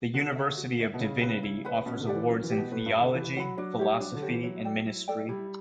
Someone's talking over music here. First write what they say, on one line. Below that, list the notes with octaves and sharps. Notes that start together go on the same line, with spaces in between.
The University of Divinity offers awards in theology, philosophy and ministry.
D3 F#4
C#5 E5
F#4
C#5 E5
B2
C#3 E4
B4 F#5 B5
E4
B4 F#5 B5
B2 C#4
D3
G4 D5 F#5
E3
F#3 C#4
E3
G4 D5 F#5
B2
A2 B4
G2
F#5 B5
D3
E3 B4
F#3 F#5 B5
F#3 D4
G3 G4 C#5
F#3 D4
D3
G4 C#5
E3
F#3 E4
A4 D5 G5
E4
A4 D5 G5
G3 E4